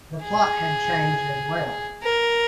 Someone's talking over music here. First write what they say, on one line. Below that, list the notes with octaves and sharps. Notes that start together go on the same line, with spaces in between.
The plot had changed as well.
G#4
A#4